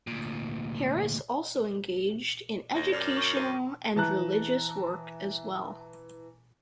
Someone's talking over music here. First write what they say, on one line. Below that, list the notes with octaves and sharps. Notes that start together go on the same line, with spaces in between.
Harris also engaged in educational and religious work as well.
D2 A#2
D#2 A5 A#6 G7
F#2 D5 D6 F6 F#7
C#6 G6
A#4 C5 D#7
E3 A5 A#5 F#6